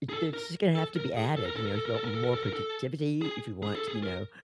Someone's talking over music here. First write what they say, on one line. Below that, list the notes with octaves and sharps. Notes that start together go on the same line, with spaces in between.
it it's just gonna have to be added, you know, if you want more productivity, if you want, you know,
G#4
A4
A#4
A4
A#4
G#4
A4
A#4
A4
A#4
A4
A#4
A4
A#4
A4
A#4
A4
A#4
A4
G#4
G#4
A4
G#4
A#4